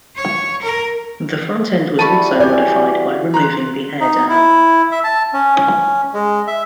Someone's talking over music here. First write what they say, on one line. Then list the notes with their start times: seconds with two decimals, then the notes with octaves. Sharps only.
The front end was also modified by removing the air dam.
0.16 C#5
0.63 A#4
1.99 E3 G3 F#4 A4 A5 B5 C#6 D#7
2.40 C#4 D5 G#5 G6
3.34 A#5 C6 F#6
4.00 D#4
4.29 E4
4.92 E5
5.04 A5
5.33 C#4
5.57 C#4
6.13 G#3
6.47 E5